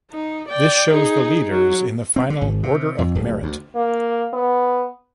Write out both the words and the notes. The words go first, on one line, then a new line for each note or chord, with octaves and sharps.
This shows the leaders in the final Order of Merit.
D#4
D5 G5
D#4 G#4
F#3
C4
D3
G#1
C3
F2
D1
D2
A#3
B3